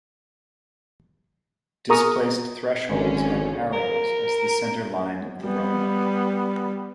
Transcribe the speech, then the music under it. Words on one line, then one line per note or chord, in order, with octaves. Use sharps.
Displaced thresholds have arrows as the center line of the runway.
G#4 A#4 A#5 C#6 D#6
G#1 D3 C#4
A#4
G3 B3